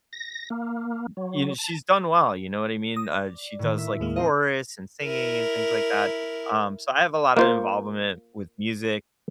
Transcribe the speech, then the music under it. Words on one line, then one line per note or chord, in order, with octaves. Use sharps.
You kn she's done well, you know what I mean? Uh, she does, like, chorus and singing and things like that, um, so I have a lot of involvement with music.
A#6
A#3
F#3
A5
D#6 A#6
D5
A2 D#3
E5
D#2 G#3 A#3
C4 A#4 D#5
E4 A#4
A#3 F4 C5